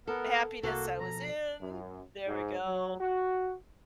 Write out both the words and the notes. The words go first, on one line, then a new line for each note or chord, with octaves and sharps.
Happiness I was in. There we go.
B3 A4 A#4
C2 A#3 F#4 A4
B2 F3 A#5
F#2
G#2
F#3
F#4